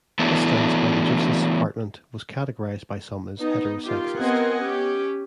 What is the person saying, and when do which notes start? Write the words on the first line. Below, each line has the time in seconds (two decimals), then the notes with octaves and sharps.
This stance by the Justice Department was categorized by some as heterosexist.
0.19 E3 F#3 A3 B3 D4 E4
3.39 B3 D#4
3.85 D#3 F4 G4
4.17 B3 C4 A#4 D#5 F#5 G#5
4.63 C#4 G4